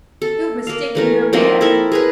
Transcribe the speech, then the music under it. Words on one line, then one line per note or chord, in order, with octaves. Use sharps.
You've mistaken your man.
A4
A#3 F5
E3 A3 A#4
F3 A#3 C4 D#4
E4 A4 A#4 E5
G#4 A#4 B4